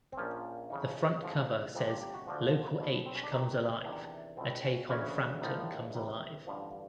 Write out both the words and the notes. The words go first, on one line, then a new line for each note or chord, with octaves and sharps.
The front cover says Local H Comes Alive!-a take on Frampton Comes Alive!
C4
A#1 A#2 F3 C#4
F2 C#3 E3 D#4
A1 G#2 F3
G1 F2 C3 G#4
G4
G4
F#4
D2 D3 F3
B1 B2
C4
C#4
D4
C#2 C3 D#3 D#4
E2 C3 D#3 D4
C#2 B2 C4
C#4
D2 C#3 E3 C#4
A#1 A2 F3 D#4
E2 C3 D#3 E4
A1 G2 D3 F3